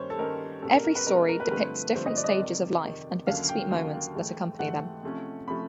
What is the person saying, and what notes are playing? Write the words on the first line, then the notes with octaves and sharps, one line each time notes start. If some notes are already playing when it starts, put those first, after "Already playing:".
Every story depicts different stages of life and bittersweet moments that accompany them.
Already playing: G2 D#3 G3 A#3 C#4 C5 C#5
A4
G2 D#3 G3 A#3 C#4 A#4
B2 G#3 C#4 A4
A#4
A#4
B4
B2 G#3 C#4 A#4
A#4
B4
A#4
G2 D3 F3 A3 C4 B4
G2 D3 F3 A3 C4 C5
D#5
D5
D#5
D5
F2 C3 D#3
F2 C3 D#3
D#2 D3 F#3 A#3 C#4 F5
G5
D#2 D3 F#3 A#3 C#4
G#2 E3 A3
G#2 E3 A3 F#5
C3 F3 A3 C#4
C3 F3 A3 C#4 B5